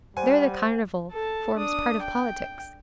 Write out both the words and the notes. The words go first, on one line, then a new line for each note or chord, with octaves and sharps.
There the Carnival forms part of politics.
G3 C5 F#5 G#5
A4 A5
D4 D#6
G5